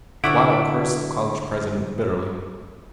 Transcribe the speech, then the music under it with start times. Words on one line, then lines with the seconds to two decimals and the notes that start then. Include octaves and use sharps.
Weill cursed the college president bitterly.
0.24 D3 C4 E4 F4 F#5 C#6 D6 D7